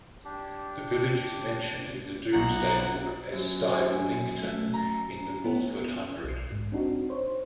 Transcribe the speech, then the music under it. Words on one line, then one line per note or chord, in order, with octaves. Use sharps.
The village is mentioned in the "Domesday Book" as "Stivelincton" in the "Bulford hundred".
D4 G4
B1 C#4 G#4 F#5 A#5
B3
F#2
G#5
A3
A#5
B3
B1 C7
G#2
C4 D4 D#4 F#4
C5 C#5